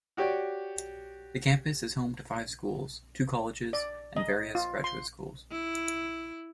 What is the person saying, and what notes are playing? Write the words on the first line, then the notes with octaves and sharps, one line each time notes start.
The campus is home to five schools, two colleges and various graduate schools.
F#4 G4 C#5 D5
D5
D#5
F4
C6
E4